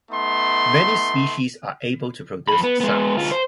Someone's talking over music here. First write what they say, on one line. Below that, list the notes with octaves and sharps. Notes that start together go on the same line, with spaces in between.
Many species are able to produce sounds.
A3 B3 D#4 C6
F2 B5
B3
G#3 B3
D2 F4
C5